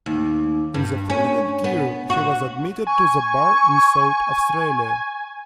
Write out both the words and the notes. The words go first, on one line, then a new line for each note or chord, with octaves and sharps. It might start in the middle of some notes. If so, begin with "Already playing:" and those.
In the following year he was admitted to the Bar in South Australia.
D#2
G2
C#4
B3
F#4
G#5 C#6